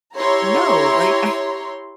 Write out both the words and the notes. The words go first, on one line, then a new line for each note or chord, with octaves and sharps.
"No, like, I
E4 G4 C#5 A#5 C6